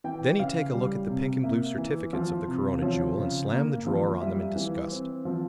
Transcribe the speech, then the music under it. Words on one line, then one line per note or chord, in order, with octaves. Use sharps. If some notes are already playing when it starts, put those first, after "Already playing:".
Then he'd take a look at the pink and blue certificates of the Corona Jewel and slam the drawer on them in disgust.
E3 G5
C#3 F5
G3
C3
A#3 E5
E3
F3
C3
F3 C#5
C#3
A#3
F3
G3 E5
E3
C4
F3